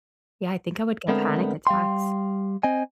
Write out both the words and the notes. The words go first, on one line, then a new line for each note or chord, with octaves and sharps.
yeah, I think I would get panic attacks.
D3 G#3 A3 B3 C4 A#4
G3 F5 G5 C6
C4 D#5 G#5